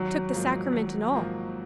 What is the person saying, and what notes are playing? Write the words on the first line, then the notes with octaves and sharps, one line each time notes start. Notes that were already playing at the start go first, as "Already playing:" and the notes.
"Took the sacrament and all."
Already playing: G#1 F#3
G#2 F3 A#3
G#1
G#2 F3 A#3